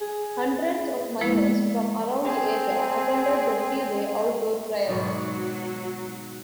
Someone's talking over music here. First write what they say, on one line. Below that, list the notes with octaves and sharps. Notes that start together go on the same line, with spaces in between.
Hundreds of miners from around the area attended the three-day outdoor trial.
G#4
F3 G#3 A#3 B3 E4
C4 G#4
G#2 B2 D#3 F#3